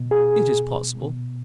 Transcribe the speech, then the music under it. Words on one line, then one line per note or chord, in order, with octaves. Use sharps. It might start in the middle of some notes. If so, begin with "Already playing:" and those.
"It is possible."
Already playing: B2
G#4
B2